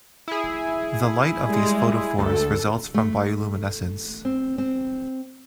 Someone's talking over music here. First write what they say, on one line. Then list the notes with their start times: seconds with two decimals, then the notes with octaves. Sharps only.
The light of these photophores results from bioluminescence.
0.28 E4 G#4
1.45 G3 G#3
2.19 D2 A4
2.94 A3
4.25 C4
4.58 C4